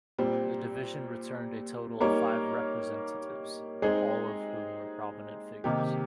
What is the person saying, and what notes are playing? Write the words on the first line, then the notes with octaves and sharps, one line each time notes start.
The division returned a total of five representatives, all of whom were prominent figures.
A#2 G3 C4
G3 A#3 D#4 A#4 C#5
G#3 C4 D#4 G#4
C3 D#3 A#3 D#4 G4